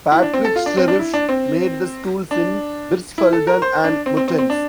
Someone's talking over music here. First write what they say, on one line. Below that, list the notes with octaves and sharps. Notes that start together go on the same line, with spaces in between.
Patrick Streiff made the schools in Birsfelden and Muttenz.
E4
D4
C4
A4
F4
D4
C4
D4
E4
D4
C4
D4
E4
A4
A#4
C5
D4
C4
C4
C4
C4
D4